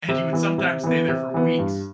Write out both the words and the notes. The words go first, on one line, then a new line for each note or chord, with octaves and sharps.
And you would sometimes stay there for weeks,
C3
E3 B3
C3
E3 B3
C3
E3 B3
G2